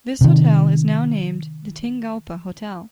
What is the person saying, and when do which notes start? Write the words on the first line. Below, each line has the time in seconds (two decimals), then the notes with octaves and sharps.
This hotel is now named the Tingalpa Hotel.
0.21 C3 D#3